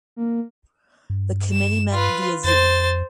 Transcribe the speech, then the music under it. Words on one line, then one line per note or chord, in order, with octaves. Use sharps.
The committee met via Zoom.
A#3
G2
E7
F4 B4
F2 C5 A6